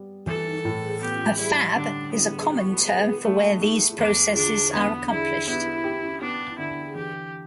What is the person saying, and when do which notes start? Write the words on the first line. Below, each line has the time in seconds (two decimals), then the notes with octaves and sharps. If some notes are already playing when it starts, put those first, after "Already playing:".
A fab is a common term for where these processes are accomplished.
Already playing: G3 B3
0.27 E3 A4
0.65 A2
1.01 B3 G4
1.38 G3 E4
1.76 D3 D4
2.13 G3 B3
2.50 G4
2.87 B4
3.25 A3
3.61 A3
3.98 E2 D4
4.35 D3 D4
4.73 E2 B3
5.10 D3 E4
5.47 B3 E4
5.84 G4
6.21 B3 D4
6.58 D3 E4
6.95 E3 G4